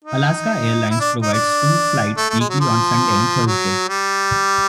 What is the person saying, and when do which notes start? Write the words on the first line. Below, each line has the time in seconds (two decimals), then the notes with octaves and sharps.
Alaska Airlines provides two flights weekly on Sunday and Thursday.
0.05 D#4
0.90 E4
1.00 D4
1.22 D#4
1.33 D4
2.18 A3
2.29 A3
2.40 G#3
2.50 F#3
2.60 F3
3.47 F#3
3.89 G3